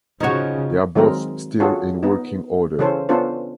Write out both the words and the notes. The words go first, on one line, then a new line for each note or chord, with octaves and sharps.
They are both still in working order.
C#3 F3 D#4 F#4 C#5
D#3 F#3 G#3 C4 A#4
C#4 F4 F#4 G#4 A4
B3 D#4
C#3 E3 C#4 A4 C5
B3 C#4 D4 F4 A4 C5